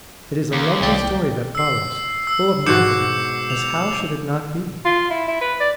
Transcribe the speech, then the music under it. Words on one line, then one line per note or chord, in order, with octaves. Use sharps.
It is a lovely story that follows, full of marvel, as how should it not be?
D#2
C2 D5 G5
E6 C7
E6
G#2 B2 F#4 D6 G6 C#7
F7
F4
E4
E4
B4
D5